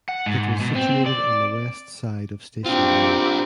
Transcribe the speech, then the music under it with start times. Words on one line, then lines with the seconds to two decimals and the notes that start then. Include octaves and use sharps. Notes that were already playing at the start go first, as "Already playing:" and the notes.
It was situated on the west side of Station Road.
0.09 F#5
0.26 G#2
0.60 B2
0.75 C4
1.06 D5
2.66 C4 D4 F4 G4